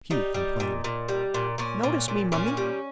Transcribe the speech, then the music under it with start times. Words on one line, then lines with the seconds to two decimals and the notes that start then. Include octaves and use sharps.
Hugh complained, "Notice me, mummy!"
0.11 G3 D#4
0.34 G3
0.60 A#2
0.84 A#2
1.08 G3
1.34 A#2
1.58 A#2 C#4
1.83 A#2
2.08 A#2
2.32 A#2 C#4
2.57 G3